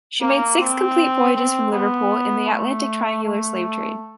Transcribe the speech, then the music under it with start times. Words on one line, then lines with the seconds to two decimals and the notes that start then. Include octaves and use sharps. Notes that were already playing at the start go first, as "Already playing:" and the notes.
She made six complete voyages from Liverpool in the Atlantic triangular slave trade.
0.21 A#3
0.59 C4
1.35 C4
1.73 B3
2.49 A3
3.24 A3